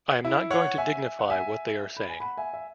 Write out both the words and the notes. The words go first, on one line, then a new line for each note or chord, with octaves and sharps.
I am not going to dignify what they are saying.
E4
C#5 F#5
E5 G#5
F#5
E5 G#5
B5
G#5
F#5 B5
E5 G#5
E5